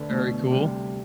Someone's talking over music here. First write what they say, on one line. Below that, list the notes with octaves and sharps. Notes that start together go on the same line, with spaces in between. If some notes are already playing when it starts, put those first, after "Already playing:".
Very cool.
Already playing: D2 D3 A4 B4
B2 F#3 A3
D2 C3 G3